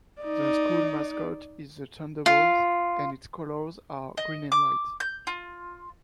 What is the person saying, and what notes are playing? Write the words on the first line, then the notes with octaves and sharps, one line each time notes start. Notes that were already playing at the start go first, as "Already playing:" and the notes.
The school mascot is the Thunderbolt, and its colors are green and white.
D#4 D5
F4
D#5
D6
G6
F4